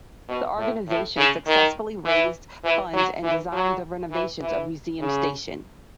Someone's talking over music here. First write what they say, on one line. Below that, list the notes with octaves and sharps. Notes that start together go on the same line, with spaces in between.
The organization successfully raised funds and designed the renovations of Museum Station.
B2
A2
A2
C#3
D#3
E3
E3
F#3
E3
F#3
E3
E3
C#3